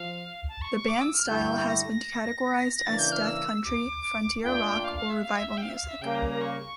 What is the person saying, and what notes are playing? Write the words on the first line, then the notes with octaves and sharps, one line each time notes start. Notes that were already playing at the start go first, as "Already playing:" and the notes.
The band's style has been categorized as "death country", "frontier rock", or "revival music".
Already playing: F3 F5
A5
C#6
C#6
D6
E6
F6
G2 D3 A3 E4 G4 G6
A#6
A#6
C#3 E3 A#3 D4 A6
G6
F6
E6
D6
A#2 A3 D4 F4 G5
F5
F5
E5
F5
E5
E5
G5
F5
E5
F5
E5
C#3 G3 A#3 G5
A#5
A#5
C#6